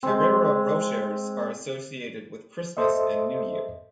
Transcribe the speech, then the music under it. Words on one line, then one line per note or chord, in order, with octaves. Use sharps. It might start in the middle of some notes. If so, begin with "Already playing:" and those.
Ferrero Rochers are associated with Christmas and New Year.
G#3 C4
A4 C5 D#5 E5